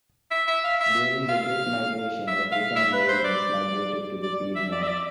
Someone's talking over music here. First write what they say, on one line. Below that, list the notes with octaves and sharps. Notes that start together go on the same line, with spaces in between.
During the Great Migration, African Americans migrated to the Piedmont.
E5
E5
F5
E5
F5
E5
F5
E5
B4
C5
D5
D5
E5
D5
E5
D5